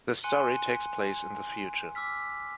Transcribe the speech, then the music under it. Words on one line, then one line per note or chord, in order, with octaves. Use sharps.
The story takes place in the future.
G#5 C6 F#6 C#7 D#7 G7
D6 E6 F6 B6